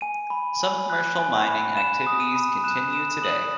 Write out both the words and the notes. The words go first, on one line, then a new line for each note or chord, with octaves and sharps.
Some commercial mining activities continue today.
G#5 D#7
B5
G#5
F#6
G#5
B5
B5 E7
D#6
D#7
B5
F#6 E7
B5 E7
D#6 F#7